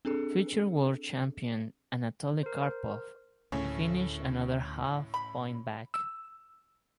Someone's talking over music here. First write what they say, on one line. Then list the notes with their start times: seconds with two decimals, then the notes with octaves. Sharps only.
Future world champion Anatoly Karpov finished another half point back.
0.05 C4 D4 G#4 A4
2.43 A#4 C5
3.52 D2 A2 C#3 C#4
5.14 B5
5.94 E6